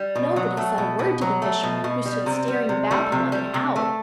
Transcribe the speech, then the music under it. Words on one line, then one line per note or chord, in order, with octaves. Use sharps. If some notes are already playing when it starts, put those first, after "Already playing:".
Nobody said a word to the fisherman, who stood staring about him like an owl.
Already playing: G3
B2
F#3
A3
B2
B2
F#3
A3
B2
B2
G3
C3
G3
C3
G3 A3
C3
G3
C3
A3